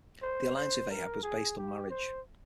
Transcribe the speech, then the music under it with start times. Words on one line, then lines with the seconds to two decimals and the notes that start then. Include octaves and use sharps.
The alliance with Ahab was based on marriage.
0.22 C5
0.56 C5
0.90 A#4
1.23 G#4
1.58 G4
1.90 C5